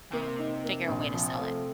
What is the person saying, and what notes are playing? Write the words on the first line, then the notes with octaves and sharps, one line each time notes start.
I'll figure a way to sell it
C3 A#3
D#4
A#3
A#1
F3
A3